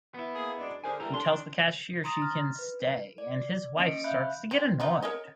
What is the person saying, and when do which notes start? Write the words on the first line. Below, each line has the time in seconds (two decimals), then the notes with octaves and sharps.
He tells the cashier she can stay and his wife starts to get annoyed.
0.14 B3 E4
0.34 A#3 G#4
0.58 F#2 G#3 D4
0.84 D3 G#4 A#4 C5 G#5
1.00 E3 G3 A4 A#4 A#5
1.14 D4 C6
2.04 A#5 C6 D#6 A6 A#6
2.22 F6
2.59 B4
3.18 D5
3.77 A#3 C#4 D#5 C#6 C#7 D7
4.04 E5 F5 B5 F#6 G6
4.51 C4
4.80 B3 D#4 F4
5.02 A#4 C#5 D#5